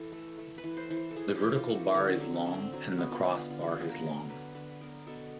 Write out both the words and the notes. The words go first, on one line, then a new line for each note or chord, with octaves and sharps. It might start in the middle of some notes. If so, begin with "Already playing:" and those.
The vertical bar is long and the crossbar is long.
Already playing: E3 A4
A3
A3
B4
E3
C5
E3
C5
A4
E3 G#4
G4
E3
F4
A3
F#4
D3 C#4
C4
F#3
C#4
D3
C4
F#3 C4
F#4
B3
F4
D3
F4
D3 F4
F#4
F4
B3
A#4
F#3
D3 B4
D3 B4
B3 A#4
B2 A4